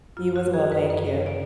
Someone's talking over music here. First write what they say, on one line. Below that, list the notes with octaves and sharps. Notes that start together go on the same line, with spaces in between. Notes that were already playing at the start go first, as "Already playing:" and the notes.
You as well, thank you.
F#2 F4
F#4
F#2 G#4
B4
F#2 B4
D5